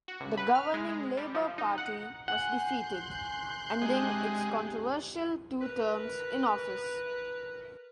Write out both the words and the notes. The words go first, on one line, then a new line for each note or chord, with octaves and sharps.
The governing Labour Party was defeated, ending its controversial two terms in office.
F#4
C#2
B4
F6
G#3
G#3
G3
F3
D#4
F#5
F#5 G#5 C6 F#6 G6
C3 G#3 D4
A#4 B4